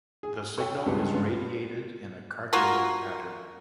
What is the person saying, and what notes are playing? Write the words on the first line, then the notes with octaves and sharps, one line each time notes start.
The signal is radiated in a cardioid pattern.
G#4
A4 C#5 G5 C#6
C#2 G2 G#3 B3 G4
G#2 B3 F4
A#3 F4 F#4 A#4